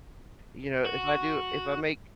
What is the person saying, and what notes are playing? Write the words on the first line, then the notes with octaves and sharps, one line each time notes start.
you know, if I do if I make
F#4